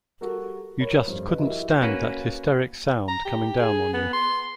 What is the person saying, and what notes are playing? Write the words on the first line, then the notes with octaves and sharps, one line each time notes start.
You just couldn't stand that hysteric sound coming down on you.
G3 F#4 A4 A#4
A#4 C#5 B5
F1 G2 F3
B4 D#5
E4 F#4 G4 A#4 D#5 E5
A#3 C#4 F#4 B4
A#5
G4
G#4
B3
C6